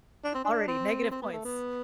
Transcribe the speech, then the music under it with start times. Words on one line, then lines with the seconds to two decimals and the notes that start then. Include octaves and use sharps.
Already negative points.
0.24 D4
0.35 C4
0.45 D4
0.68 C4
1.11 C4
1.22 B3
1.33 A3
1.45 B3